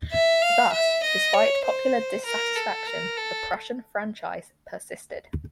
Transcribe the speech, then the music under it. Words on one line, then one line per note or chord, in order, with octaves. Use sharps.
Thus, despite popular dissatisfaction, the Prussian franchise persisted.
E5
F5
E5
D#5
C#5
C5
A#4
A4
A#4
A4